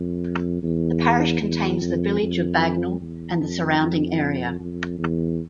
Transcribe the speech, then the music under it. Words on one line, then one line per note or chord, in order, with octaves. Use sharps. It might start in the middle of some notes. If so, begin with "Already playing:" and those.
The parish contains the village of Bagnall and the surrounding area.
Already playing: F2
E2
E2
F2
F2
E2
F2
F2
F2
E2